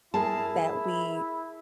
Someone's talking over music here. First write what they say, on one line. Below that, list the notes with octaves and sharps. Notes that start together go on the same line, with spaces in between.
that we
E4 G#4 A#4 A5